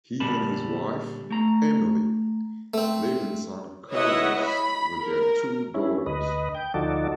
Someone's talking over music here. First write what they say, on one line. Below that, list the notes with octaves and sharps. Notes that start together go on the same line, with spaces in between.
He and his wife, Emily, live in San Carlos with their two daughters.
A#2 D3 G3 A#4 A5 B5
A3 A#5
A3 C4
E4 B4 C#5 D#5 E5 F#5
B5
A#4
C#4 E4
D2 B4 D#5
G5
D2 F3 D#4 F#4 A4 D5